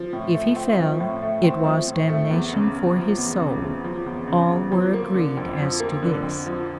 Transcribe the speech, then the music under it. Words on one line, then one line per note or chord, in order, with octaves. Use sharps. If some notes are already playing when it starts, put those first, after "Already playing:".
If he fell, it was damnation for his soul--all were agreed as to this.
Already playing: F3
A2
A3
C4
F3
A2
A3
C4
F3
A2
A3
E2
C#3
E2
F3
E2
C#3
E2
F3
E2
C#3
E2
F3
A#3
D3
F2
F3
A#3
D3
F2
F3